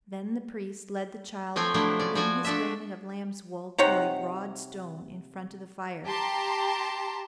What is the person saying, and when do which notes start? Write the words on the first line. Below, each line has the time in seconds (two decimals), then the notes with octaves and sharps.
Then the priest led the child in his raiment of lamb's-wool to a broad stone in front of the fire.
1.56 F3 A3 C4 C#5 G5 G#5
1.74 C3 F3 F#3 A3 D4 E4
1.99 C#4 D5
2.15 F3 F#4 D5 G#5
2.45 A3 D4 E5
3.78 C3 D#4 C#5 F#5
6.07 G4 A5 A#5 C6